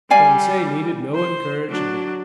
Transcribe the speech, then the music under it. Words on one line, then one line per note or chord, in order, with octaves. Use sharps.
Conseil needed no encouraging.
G3 D5 F5 G#5
C5
F#3 D4